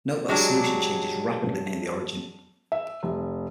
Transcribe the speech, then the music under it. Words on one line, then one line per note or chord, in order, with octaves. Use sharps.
Note that the solution changes rapidly near the origin.
F#3 G#3 D4 G4
E5
F1